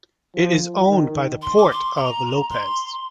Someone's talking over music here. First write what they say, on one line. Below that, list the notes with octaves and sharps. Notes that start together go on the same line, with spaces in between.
It is owned by the Port of Lopez.
F3
D#3
C6
D6
C6
A#5
C6